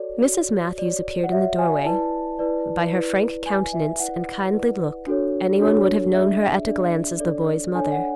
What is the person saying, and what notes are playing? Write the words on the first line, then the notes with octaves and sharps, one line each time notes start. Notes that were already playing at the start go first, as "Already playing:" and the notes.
Mrs. Matthews appeared in the doorway; by her frank countenance and kindly look anyone would have known her at a glance as the boy's mother.
Already playing: F#4 A4 C#5 D5
F#4 A4 C#5
F#4 C#5 D5
F#5
F#4 C#5 E5
G#5
E4 B4 D5 A5
E4 B4 D5
E4 B4 D5
E4 B4 D5 G#5
E5
E4 B4 D5 F#5
E4 B4 D5
D4 F#4 A4 C#5
D4 F#4 A4 C#5
D4 G#4 D5 E5
D4 G#4 D5
D4 A4 C#5 D5
D4 A4 C#5 G#5
F#5